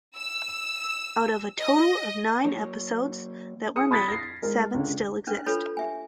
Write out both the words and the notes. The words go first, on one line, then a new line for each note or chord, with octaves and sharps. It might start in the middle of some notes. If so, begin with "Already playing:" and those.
Out of a total of nine episodes that were made, seven still exist.
E6
D#5
F#3 A#3 C#5
G#4 D#6 C#7
B5 D#6 G#6 A6 B6
A#6 C7
G#3 A#4
C#2 D3
C#4 D4 B4
D4 F4 A4 B4 C#5 B5
G4 E5 G#5